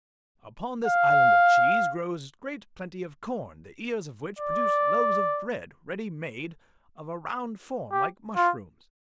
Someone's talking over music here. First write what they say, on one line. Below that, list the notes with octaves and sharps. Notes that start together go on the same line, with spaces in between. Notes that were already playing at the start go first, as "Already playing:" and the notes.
Upon this island of cheese grows great plenty of corn, the ears of which produce loaves of bread, ready made, of a round form like mushrooms.
F5
D5
G4
F4